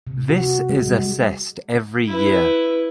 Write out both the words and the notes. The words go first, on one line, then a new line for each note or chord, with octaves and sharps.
This is assessed every year.
C3
F#4
G#3
G3
E4 B4